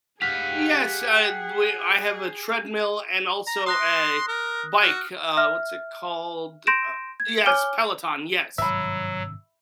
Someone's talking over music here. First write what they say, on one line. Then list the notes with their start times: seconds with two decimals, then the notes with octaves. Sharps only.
Yes, I w I have a treadmill and also a bike, uh, what's it called? The, uh yes, Peloton, yes,
0.22 G4 G#4 F5 F#5 B6
3.47 A#5
3.66 C6 D#6 F#6 A#6
4.28 A#4
4.82 F#4 F6
5.37 E5 F6
6.67 C6 G6 A#6 D7 E7
7.20 G#6
7.46 C#5 G#5 D6 F6 G7
8.58 G#1 G2 C3 F#3 E5 B5 E6